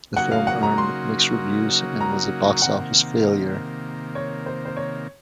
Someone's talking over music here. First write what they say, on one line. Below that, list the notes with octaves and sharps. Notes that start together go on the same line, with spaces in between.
The film earned mixed reviews and was a box office failure.
C#3 F#3 A#3 D#4 F#4 F#5
F5
F#5
A#5
C6
A#5
C3 D#3 A#3 F#5
C#5
C5
C5
C#5